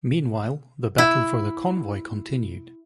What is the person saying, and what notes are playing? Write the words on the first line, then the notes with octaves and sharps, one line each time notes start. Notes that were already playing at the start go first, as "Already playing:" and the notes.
Meanwhile, the battle for the convoy continued.
E4